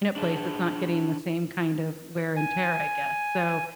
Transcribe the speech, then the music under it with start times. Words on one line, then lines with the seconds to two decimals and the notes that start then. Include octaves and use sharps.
place that's not getting the same kind of wear and tear, I guess, so
0.16 D4 G#4 C5 A5
2.36 G#5